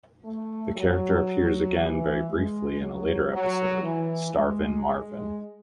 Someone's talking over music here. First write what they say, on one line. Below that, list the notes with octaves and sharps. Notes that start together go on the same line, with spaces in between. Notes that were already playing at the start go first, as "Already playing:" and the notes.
The character appears again very briefly in a later episode, Starvin' Marvin.
A3
F#3
E3
G#3
F#3
F#3
E3
G#3
G#3